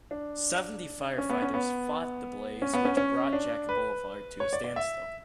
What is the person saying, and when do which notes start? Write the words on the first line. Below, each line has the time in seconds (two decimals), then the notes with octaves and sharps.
Seventy firefighters fought the blaze which brought Jacka Boulevard to a standstill.
0.11 D4
1.18 C#4
1.30 B3
1.42 C#4
1.54 B3
2.62 C#4
2.74 B3
2.85 C#4
2.97 C#4
3.33 D4
3.69 B4
4.40 C#5
4.53 D5
4.64 D5
4.76 E5